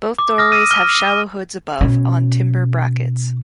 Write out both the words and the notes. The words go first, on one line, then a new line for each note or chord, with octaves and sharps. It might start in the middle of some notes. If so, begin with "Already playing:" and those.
Both doorways have shallow hoods above on timber brackets.
D6
D#6 F6 A#6
E6 D#7
F6
B2 C#4